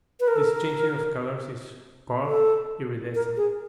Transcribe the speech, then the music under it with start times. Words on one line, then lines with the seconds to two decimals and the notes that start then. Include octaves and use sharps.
This changing of colors is called iridescence.
0.20 B4
0.28 A#4
0.36 A4
0.44 A#4
2.26 A4
3.15 A#4
3.37 G#4